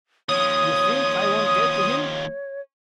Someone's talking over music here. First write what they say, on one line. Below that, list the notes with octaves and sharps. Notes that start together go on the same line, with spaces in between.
You think I won't get to him?
D#2 F3 C#5 D#6